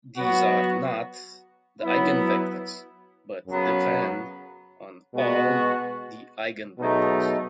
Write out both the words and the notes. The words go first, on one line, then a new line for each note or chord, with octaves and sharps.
These are "not" the eigenvectors, but "depend" on "all" the eigenvectors.
F#3 B3 F#4
F#3 B3 E4
F#2 C#3 F#3 B3
B2 G#3 B3 F#4
B2 F#3 A3 D#4 G#4